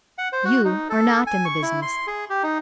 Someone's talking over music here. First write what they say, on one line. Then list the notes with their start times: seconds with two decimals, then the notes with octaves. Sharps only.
You are not in the business.
0.18 F#5
0.33 C5
0.45 F#4
0.65 D#4
0.89 A4
1.27 G#5
1.45 C#6
1.62 E4
1.82 C6
2.07 G#4
2.30 G4
2.43 D#4